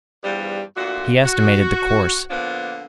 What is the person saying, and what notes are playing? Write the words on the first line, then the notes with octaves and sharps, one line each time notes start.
He estimated the course.
E2 G2 F3 G3
D2 A#2 F4 F#4
F#4
D3 F3 A#3 B3 D4